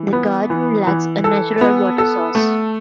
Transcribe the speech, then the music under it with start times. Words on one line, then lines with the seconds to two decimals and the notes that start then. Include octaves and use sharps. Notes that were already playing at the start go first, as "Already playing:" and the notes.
The garden lacks a natural water source.
Already playing: E3
0.13 B3
0.50 E3
0.87 E3
1.24 A4
1.61 B3
1.98 A4
2.35 A3